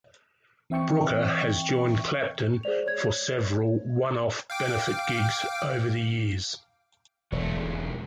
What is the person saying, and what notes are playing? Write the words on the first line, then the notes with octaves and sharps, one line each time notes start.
Brooker has joined Clapton for several one-off benefit gigs over the years.
E3 C4 E5 G5 C#6 C#7
G#4 C5 D5 F7
C#5 G#6
F5 G5 D6
E1 F#3 A3
B1 G#3